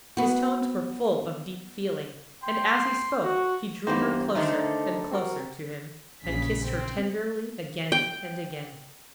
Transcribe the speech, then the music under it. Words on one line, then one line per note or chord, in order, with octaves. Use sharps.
His tones were full of deep feeling, and as he spoke he drew her closer and closer to him and kissed her tenderly again and again.
B3 F#4
G5 C6
F#4
G2 E3 B3 D#4 G4 C5
D3 D#3 A3 D#4 C5 D#5
C4 F#4 A#4
A#1 C#3 G#4 B6
C4
G5